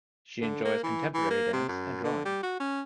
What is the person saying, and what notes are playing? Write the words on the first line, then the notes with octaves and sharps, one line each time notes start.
She enjoys contemporary dance and drawing.
D3
A#3
E3
E3
A#3
C3
F#2
D3
G3
F#4
C#4